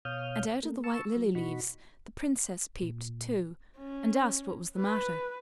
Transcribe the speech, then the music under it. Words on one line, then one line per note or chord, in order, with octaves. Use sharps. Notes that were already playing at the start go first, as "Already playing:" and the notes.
And out of the white lily leaves the Princess peeped, too, and asked what was the matter.
B2 C#5 F5 D#6 F6 G6
A3 A#3
A5 C#6 E6
F#3
B2 D#4 F#4 B5 C#6
A#2
C#4
B4